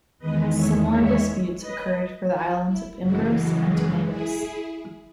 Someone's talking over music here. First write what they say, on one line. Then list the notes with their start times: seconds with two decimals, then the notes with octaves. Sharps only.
Similar disputes occurred for the islands of Imbros and Tenedos.
0.19 E2 D#3 G#3 B4 D#5
0.54 C#5 E5
0.89 C#5 E5
1.60 B4 D#5
2.30 F#4
2.65 E4
3.00 F#2 C#3 E3 G#3 F#4
3.35 F#4 A4
3.70 G#4 B4
4.05 E4 G#4